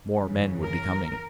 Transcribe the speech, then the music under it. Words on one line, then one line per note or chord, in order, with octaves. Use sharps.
More men would be coming.
F#2 C#3 E3
A#4